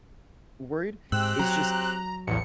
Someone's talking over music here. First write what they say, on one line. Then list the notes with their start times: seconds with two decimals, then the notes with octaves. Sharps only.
worried, is just
1.12 G#2 C4 G4 E6 F#6
1.39 F#3 A#5
2.27 A1 E2 C#7